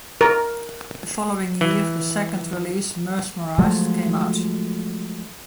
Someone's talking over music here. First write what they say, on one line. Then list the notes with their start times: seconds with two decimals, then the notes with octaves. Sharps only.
The following year the second release "Mesmerized" came out.
0.21 A#4
1.61 E3
3.59 F3 F#3 G#3 A3